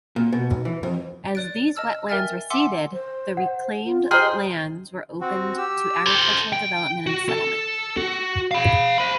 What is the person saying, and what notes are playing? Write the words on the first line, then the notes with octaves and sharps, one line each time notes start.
As these wetlands receded, the reclaimed lands were opened to agricultural development and settlement.
A#2
B2
B1
E3
F2
C#5 D5 F#6 A6 D7
D#5 A5 E6 F6
A#4 E5 G5 G#5 F6 A6
E5 F#5 G#5 C6 D6 E6
C5
F#5
F4
G#4 C5 D#5 G5 A#5 C6 F6
C4 F#4
G4 E6
A4 C5
G5
F#4
A4
F#4
F5 B5
C5 B5